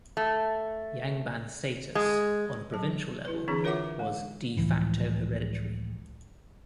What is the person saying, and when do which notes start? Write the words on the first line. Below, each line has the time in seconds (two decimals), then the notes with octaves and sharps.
Yangban status on a provincial level was "de facto" hereditary.
0.17 A3
1.95 G#3
2.72 F#3 A5
3.25 E4 B4
3.48 D3 E3 C4 D4 G#4
3.64 F4 A#4 C#5 E5 F#5 D6
3.99 G#3
4.57 C#2 A2 E3 F3